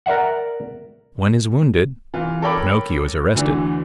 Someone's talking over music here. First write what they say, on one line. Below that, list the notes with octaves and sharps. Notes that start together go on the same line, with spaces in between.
One is wounded. Pinocchio is arrested.
A#4 D5 E5 F#5
C3 E3 F4
A4 A#4 C#5 G5 B5 D6
D2 D3 E3 F#3